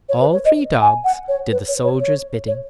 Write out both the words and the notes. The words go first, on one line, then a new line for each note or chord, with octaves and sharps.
All three dogs did the soldier's bidding.
C#5
B4
C#5
D#5
G#5
F#5
C#5
B4
C#5
C#5
C#5
C#5